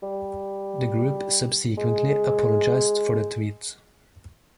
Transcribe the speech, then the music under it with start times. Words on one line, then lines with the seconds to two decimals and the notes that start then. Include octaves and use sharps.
The group subsequently apologised for the tweet.
0.03 G3
1.78 G#3